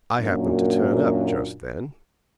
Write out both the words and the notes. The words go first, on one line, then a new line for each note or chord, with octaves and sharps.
I happened to turn up just then.
F#2 A#2 A#3 D4 F#4